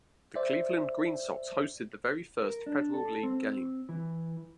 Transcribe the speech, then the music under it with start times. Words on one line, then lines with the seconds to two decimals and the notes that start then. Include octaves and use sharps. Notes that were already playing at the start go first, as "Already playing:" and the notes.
The Cleveland Green Sox hosted the very first Federal League game.
0.36 C5 D5 E5
2.42 A#4
2.66 D4
2.94 A4
3.23 C4
3.89 E3